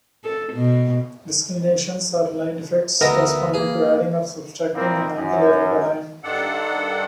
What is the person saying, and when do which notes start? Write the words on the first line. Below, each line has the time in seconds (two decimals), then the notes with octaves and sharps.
Disclinations are line defects corresponding to "adding" or "subtracting" an angle around a line.
0.24 A4
0.53 B2
3.01 D2 B3 A#4 B4 D#5 E5
3.54 A#3 G#4
4.75 A#2 F3 A#3 C4 E4 A#4
5.16 F#2
6.24 G2 D#3 D4 A4 F#5